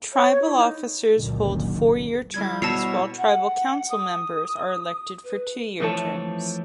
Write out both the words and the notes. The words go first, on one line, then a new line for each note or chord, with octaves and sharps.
Tribal officers hold four-year terms while tribal council members are elected to two-year terms.
C#5
E4
D#4
F#1 C#2 F#2 A#2 D3 D#3
G3 G#3 E4 G#6
B2 C#5 A5 A#5 E6 C7
F#5
D#6
B4
F2 E3 F3 A3 C#5 A5